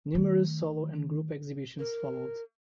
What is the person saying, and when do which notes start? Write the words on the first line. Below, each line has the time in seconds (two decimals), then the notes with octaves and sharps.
Numerous solo and group exhibitions followed.
0.15 D#3 A3
1.79 A#4